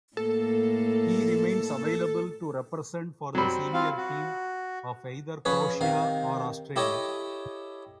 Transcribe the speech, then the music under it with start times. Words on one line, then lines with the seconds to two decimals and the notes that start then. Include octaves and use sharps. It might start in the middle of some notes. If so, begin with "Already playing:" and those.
He remains available to represent for the senior team of either Croatia or Australia.
0.17 A2 A#3 A4
3.35 F#3 G3 C4
3.73 C4 F4 F5
3.97 F#4
5.45 F3 C#4 G#4 B4 C#5
5.81 C3 D#3 F5
6.76 E4 G4 A4 C#5 D#5